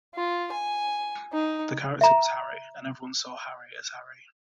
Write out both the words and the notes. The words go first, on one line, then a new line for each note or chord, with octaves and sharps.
The character was Harry and everyone saw Harry as Harry.
F4
G#5
D#4
E5 A#5